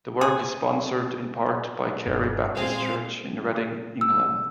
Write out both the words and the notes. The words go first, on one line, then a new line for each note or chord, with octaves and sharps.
The work is sponsored, in part, by the Carey Baptist Church in Reading, England.
G#4
F#1 G2
A#2 G#3 C4 C5 F5
E6